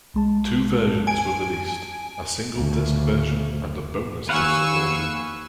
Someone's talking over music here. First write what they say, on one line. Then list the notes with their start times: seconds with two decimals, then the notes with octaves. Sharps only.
Two versions were released; a single disc version and a bonus disc version.
0.14 B1 G#3 A5
1.07 G#5 A5 D7
2.54 D2 C#3
4.29 D#2 B4 F5 F#5 G#5 C#6 E6